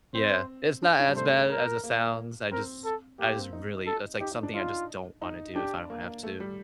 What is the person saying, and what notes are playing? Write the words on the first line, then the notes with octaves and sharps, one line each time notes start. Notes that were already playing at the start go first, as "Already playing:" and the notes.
yeah, it's not as bad as it sounds, I just I just really it's like something I just don't wanna do if I don't have to.
C4 C5
D4
D4
G3
A3 C5
A#4
A#3
C4 A#4
A4
A#3 G4
C4
D#4
A4
D#4 G4
D#4
D4
D#4 F4
D#4
D4 G4
A#3
A3
G3